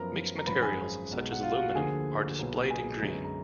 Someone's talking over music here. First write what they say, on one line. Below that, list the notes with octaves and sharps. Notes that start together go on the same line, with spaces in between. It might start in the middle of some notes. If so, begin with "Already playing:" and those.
Mixed materials such as aluminum are displayed in green.
Already playing: F#2 F3 B3 A#4 A#5
A#5
G#1 F#2 F3 B4 B5
G#4 G#5
B1 B2 G#3
F#5
F4 F5
F#4 F#5
D2 D3 F3 A#3 G#4 G#5
B1 A#2 F#3 B3
G#4 G#5
F#2 D3 G#3 B3
A#5